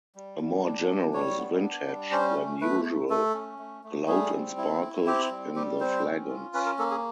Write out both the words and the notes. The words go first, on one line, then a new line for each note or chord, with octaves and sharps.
A more generous vintage than usual glowed and sparkled in the flagons.
G3
G3
D4
G3
G3 C#5
B3
D4
G3
C#4 C5
A3
A3 B4
A3
A3 A4
C#4
A3
A3
G3 G#4
C4
E4
E4
C4 G4
G3
G3 G4
C4 C5
C#4
F4
C#4 B4
A#4
A#3 A4
G#4